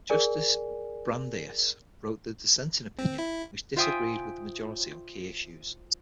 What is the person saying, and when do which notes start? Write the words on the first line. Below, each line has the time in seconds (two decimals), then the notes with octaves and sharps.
Justice Brandeis wrote the dissenting opinion, which disagreed with the majority on key issues.
0.10 G#4 A#4 D5 G#5
2.99 C4
3.18 E4
3.76 F4 C5 E5 G5 G#5 D#6